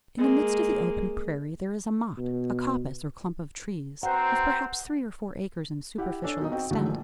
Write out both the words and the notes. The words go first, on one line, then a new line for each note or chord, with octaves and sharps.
In the midst of the open, prairie there is a "motte"--a coppice, or clump of trees--of perhaps three or four acres in superficial extent.
G#3 A#3
B2
C4 F#4 B4 C5 F#5 A#5
E4 G4 E5 F#5
D4 A4 C#5 G#5
B1 D#4 D#6
C4 F#4 D#5 G5
A2 D3 D#3 F#3 G#3 A3
A#1